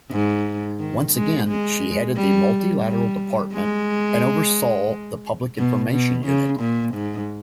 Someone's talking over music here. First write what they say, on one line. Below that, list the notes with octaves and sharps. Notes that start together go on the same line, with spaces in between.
Once again, she headed the multilateral department and oversaw the Public Information Unit.
G#2
D#3
G#3
G#3
G3
G3
G#3
B2
B2
C#3
A#2
G#2